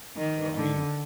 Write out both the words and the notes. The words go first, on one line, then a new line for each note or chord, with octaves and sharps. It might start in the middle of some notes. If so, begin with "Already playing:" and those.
So, I mean,
D#3
D3